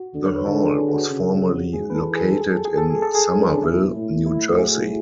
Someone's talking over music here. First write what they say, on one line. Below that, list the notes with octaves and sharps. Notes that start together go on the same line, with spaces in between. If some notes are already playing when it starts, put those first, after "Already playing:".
The hall was formerly located in Somerville, New Jersey.
Already playing: F#4
D3
C#5
B4
D3 A4
G#4
F#4
C#3
G#2 G#4
B4
A4
E3
G#4
A4
G#4
A4
G#4
A4
G#4
A4
G#4
C#4
D4
B2 E4
A2
E4
F#4
G#4